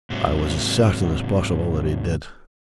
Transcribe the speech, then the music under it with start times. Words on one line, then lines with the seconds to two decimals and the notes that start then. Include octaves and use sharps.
I was as certain as possible that he did.
0.10 G#2 C3 F#3